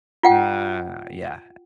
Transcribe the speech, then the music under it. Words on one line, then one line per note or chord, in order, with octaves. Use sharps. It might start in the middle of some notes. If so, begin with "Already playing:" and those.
Uh, yeah.
F4 F#5 G5